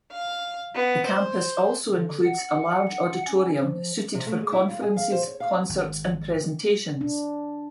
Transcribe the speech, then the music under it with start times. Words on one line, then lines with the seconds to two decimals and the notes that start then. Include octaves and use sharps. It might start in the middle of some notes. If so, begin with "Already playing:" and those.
The campus also includes a large auditorium suited for conferences, concerts and presentations.
0.12 F5
0.75 B3
1.06 C5
1.95 D3
2.24 F#5
3.27 C#4
3.59 F3
4.15 C3
4.27 A3
4.41 G#3
4.52 E4
4.68 F4
4.82 G#4
4.97 F5
5.12 C5
5.27 C#5
5.40 F5
5.69 G#1
7.01 D4